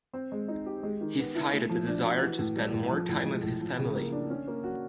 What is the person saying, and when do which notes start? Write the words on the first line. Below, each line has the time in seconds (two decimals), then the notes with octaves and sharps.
He cited a desire to spend more time with his family.
0.13 C4
0.32 G#3
0.48 D#4
0.66 G4
0.83 G#3
1.01 D#3
1.18 B3
1.35 E4
1.52 A3
1.69 F3
1.87 D4
2.04 F#4
2.21 E3
2.39 A2
2.56 G3
2.73 A2
2.91 F3
3.08 A2
3.26 G#3
3.43 A2
3.61 F3
3.77 C#3
3.95 A#3
4.12 D4
4.30 C#4
4.48 A#3
4.64 F#4